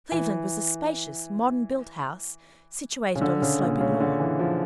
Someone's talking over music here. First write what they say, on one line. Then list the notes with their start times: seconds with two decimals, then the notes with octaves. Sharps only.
Cleveland was a spacious, modern-built house, situated on a sloping lawn.
0.12 E3
3.16 C#3
3.21 D3
3.42 C#3
3.61 A#2
3.81 C#3
4.00 D3
4.20 E3
4.39 F3